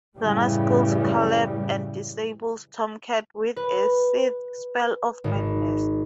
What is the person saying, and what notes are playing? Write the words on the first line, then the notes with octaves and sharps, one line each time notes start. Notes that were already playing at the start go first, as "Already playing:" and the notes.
Zannah kills Caleb and disables Tomcat with a Sith spell of madness.
F#2 A2 C#3 E3 G3
B4
G#1